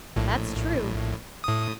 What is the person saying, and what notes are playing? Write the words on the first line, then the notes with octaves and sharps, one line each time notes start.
"That's true."
A#1 A2
A2 D#6